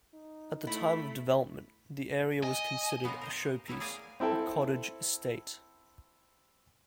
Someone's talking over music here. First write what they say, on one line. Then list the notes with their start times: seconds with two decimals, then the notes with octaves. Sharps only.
At the time of development, the area was considered 'a showpiece, a cottage estate'.
0.14 D#4
0.67 A3 E4 B5
2.43 D#5 G#5
3.04 B2 B3 C#4 F4 A#4
3.21 A#4 C5 D#5
3.68 B3 C#4 E4 A#4
3.80 G#4 A#4 D5 F5 G#5
4.20 C4 E4 A4 G5